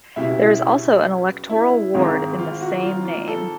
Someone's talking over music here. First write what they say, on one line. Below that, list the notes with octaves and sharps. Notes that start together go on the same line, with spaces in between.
There is also an electoral ward in the same name.
C#2 B2 G3 E4
E4
E4
G#1 G#2 D#3 G#3
F4
F#4
F4
F4
A4